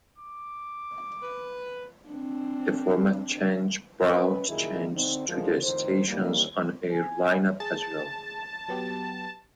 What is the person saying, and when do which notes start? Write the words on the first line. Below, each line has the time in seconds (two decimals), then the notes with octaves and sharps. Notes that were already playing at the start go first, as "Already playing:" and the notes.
The format change brought changes to the station's on-air lineup as well.
0.18 D6
1.23 B4
2.10 C4 D4
4.10 C#4 B4
4.49 F#2 A#2 D#3 E4 G#4 D#5
4.95 D3 C4 D#4
5.29 E2 D3 F3 G#3 C4 A#4
5.63 F2 A2 D#3 C5
6.08 D#2 E3 G3 A#3
6.92 G#5
7.60 G#4 A5
8.68 F#3 B3 G4